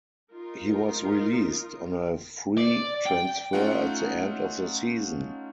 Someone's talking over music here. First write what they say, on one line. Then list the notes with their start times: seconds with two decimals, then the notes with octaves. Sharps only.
He was released on a free transfer at the end of the season.
0.32 D#4 F4 A#4
2.57 D5
3.06 G5
3.53 A3 C#4 D#4 F4 F#5